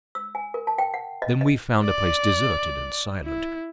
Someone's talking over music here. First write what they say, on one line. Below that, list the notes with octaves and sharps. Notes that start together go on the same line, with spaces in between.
Then we found a place deserted and silent.
E6
G#5
A#4
A5
G5
F#5
D#5
D#5
D5
E4